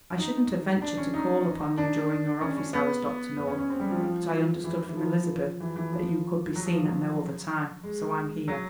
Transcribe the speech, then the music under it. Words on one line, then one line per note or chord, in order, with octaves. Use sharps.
"I shouldn't have ventured to call upon you during your office hours, Dr. North; but I understood from Elizabeth that you could be seen at no other time; so I'm here."
D#4
D4
C#4
D#4
D4
C#4
C#4
B3
B3
C#4
C#4
C4
G3
F3
F3
E3
E3
F3
E3
E3
F3
F#3
F3
F3
F#3
G#3
F#3